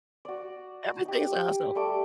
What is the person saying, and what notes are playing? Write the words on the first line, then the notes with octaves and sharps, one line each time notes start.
Everything is a hustle.
F#4 D5
D#4 G4
G3 A3 A4 D6